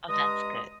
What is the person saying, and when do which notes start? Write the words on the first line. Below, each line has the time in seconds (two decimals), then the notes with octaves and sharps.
Oh, that's good.
0.08 G2 G#3 A#5 D#6